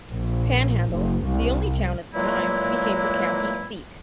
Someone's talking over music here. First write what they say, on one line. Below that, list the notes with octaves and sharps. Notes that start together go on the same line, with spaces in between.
Panhandle, the only town at the time, became the county seat.
A#1
F#1
C2
A#2 E3 F#3 G#3 A#3 E4